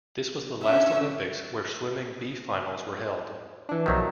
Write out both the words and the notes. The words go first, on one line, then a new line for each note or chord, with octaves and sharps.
This was the last Olympics where swimming B-finals were held.
C#4 D4 E5
E3 D4
B1 D#3 F3 F#3 A3 E5